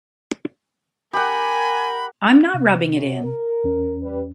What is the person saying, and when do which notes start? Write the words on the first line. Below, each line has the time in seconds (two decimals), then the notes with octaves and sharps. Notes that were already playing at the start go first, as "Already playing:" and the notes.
I'm not rubbing it in.
1.13 G4 A#4 F#5 G#5 B5
2.54 C3
2.92 F#2 F#3
3.23 A#4
3.64 E2 C#4
4.02 G3 B4